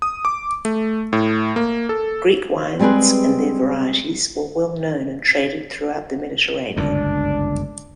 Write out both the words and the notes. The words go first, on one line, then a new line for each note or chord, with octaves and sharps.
Greek wines and their varieties were well known and traded throughout the Mediterranean.
D#6
D6
A3
A2
A#3
A4
G3 G#3 C4 G#4 B4
G1 C#2 F#2 D4